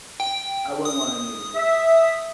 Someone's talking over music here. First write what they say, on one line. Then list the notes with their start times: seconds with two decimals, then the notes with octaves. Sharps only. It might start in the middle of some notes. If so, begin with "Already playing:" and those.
I wouldn't want any of those.
0.20 G5
0.85 D#6
1.55 E5